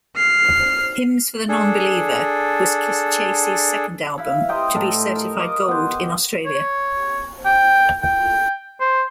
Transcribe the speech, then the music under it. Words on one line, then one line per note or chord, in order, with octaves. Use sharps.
"Hymns for the Nonbeliever" was Kisschasy's second album to be certified gold in Australia.
F6 C7
D4 G#4 A4
E4 B4 E5 F5
C5 D#5 G5 A#5
A2 A4 D#5 A#5
A#4
D#5 D6
B3 C5
C#5
G5
G5
C5